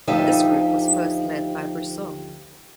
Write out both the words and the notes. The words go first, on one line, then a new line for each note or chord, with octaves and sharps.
This group was first led by Brissot.
D2 F3 D#4 G4 E5 F5